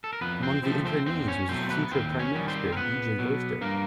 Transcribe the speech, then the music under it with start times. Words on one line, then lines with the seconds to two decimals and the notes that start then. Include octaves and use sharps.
Among the internees was future prime minister B. J. Vorster.
0.04 A4
0.13 A#4
0.21 F2 B3 B4
0.43 C4 C5
0.63 C3 F3 A3 C4 C5
0.85 C4 C5
1.06 E2 C4 C5
1.28 C#4 C#5
1.49 B2 F#3 A3 C4 C5
1.70 B3 B4
1.91 D#2 C4 C5
2.19 C#4 C#5
2.34 D#3 G3
2.48 C4 C5
2.72 A#4
2.76 C#2 B3 B4
3.19 B2 F#3
3.61 G2 A#3 A#4